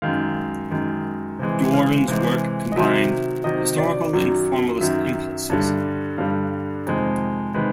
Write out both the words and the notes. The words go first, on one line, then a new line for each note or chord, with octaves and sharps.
Doran's work combined historical and formalist impulses.
F#2 D#3 G#3 F5
F#2 D#3 G#3
C3 E3 G#3
F5
C3 E3 G#3
D#5
C3 D#3 F#3 E5
C3 D#3 F#3 D#5
D5
F#2 D#3 F#3
F#2 D#3 F#3 E5
G2 D3 G3
G2 D3 G3 F5
F2 C3 D#3 G#3
C3 D#3 G#3 B4